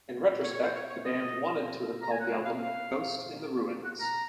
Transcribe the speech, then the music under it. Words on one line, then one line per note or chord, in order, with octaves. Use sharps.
In retrospect, the band wanted to have called the album "Ghost in the Ruins".
C#5
C#5
C5
C#5
C#5
D#5
A#5
G#5
F#5
F5
F5
F5
F#5
A#5